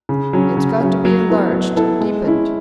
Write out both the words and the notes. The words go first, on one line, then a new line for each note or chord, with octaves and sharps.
It's got to be enlarged, deepened.
C#3
F#3 C#4
C#3
F#3 C#4
F#3
B3 E4 A4
F#3
B3 E4 A4
G#3
C#4 E4